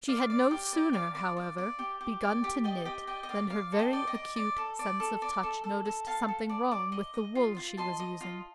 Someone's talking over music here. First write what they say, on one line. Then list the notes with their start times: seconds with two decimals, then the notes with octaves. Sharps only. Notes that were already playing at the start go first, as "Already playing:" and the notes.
She had no sooner, however, begun to knit than her very acute sense of touch noticed something wrong with the wool she was using.
0.08 D5 F5
0.30 D5
0.51 G4
0.73 D5
0.93 D5 F5
1.15 D5
1.37 D5
1.58 D5
1.79 G4
2.01 G4
2.22 D5
2.44 G4
2.64 D5 D#5 G5
2.85 G4 D#5 G5
3.07 D5 D#5 G5
3.23 D#5
3.29 D5 F5
3.50 D5 F5
3.72 A4
3.79 D#5 G5
3.93 D5
4.07 D#5
4.15 D5
4.36 D5
4.58 A4
4.79 D5
5.00 A4
5.22 D5
5.43 A4
5.64 A4
5.85 A4
6.07 A4 F5 A5
6.28 A4
6.49 D5
6.71 D5
6.92 D#5
7.14 D#5
7.35 F4
7.57 F4
7.77 D#5 A5 C6
8.00 D#5
8.21 F4